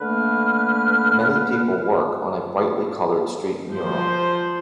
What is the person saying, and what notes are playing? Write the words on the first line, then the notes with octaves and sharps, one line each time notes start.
Many people work on a brightlycolored street mural.
D3 A3 A#3 B4 F6
F3 C5